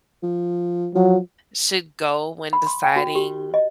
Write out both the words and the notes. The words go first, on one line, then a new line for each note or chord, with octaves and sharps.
should go when deciding
F3
F3 F#3
B5
C6
G5
F#4
G4
D#5